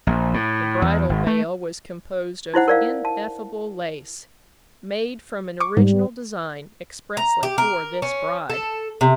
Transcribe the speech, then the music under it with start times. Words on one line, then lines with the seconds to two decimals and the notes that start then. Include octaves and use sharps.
The bridal veil was composed of ineffable lace, made from an original design expressly for this bride.
0.07 A#1
0.34 A2
0.82 E2
1.09 G#1
1.27 A3
2.54 D#4 E4 C5 F#5
2.68 A#4 D5 F5
3.05 A5
5.60 C#6 D6
5.77 G#2 G3
7.17 A#5
7.43 G4
7.58 A#4
8.02 C#4
8.50 A4
9.01 C3